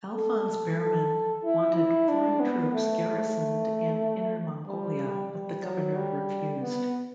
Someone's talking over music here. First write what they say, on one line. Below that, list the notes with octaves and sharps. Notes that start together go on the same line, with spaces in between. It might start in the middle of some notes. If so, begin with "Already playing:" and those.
Alfons Bermyn, wanted foreign troops garrisoned in Inner Mongolia, but the Governor refused.
A4
A4
E4
E4
D4
B3
A3
G3
G3
F#3
G3
B3